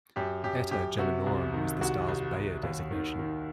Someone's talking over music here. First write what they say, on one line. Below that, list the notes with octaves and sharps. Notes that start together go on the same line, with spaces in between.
"Eta Geminorum" is the star's Bayer designation.
F#2 G4
F#2 G4
F#2 G4
C3 F#4
C2
D#3
C2 F#4
C2
C2
D#2
D#3
D#3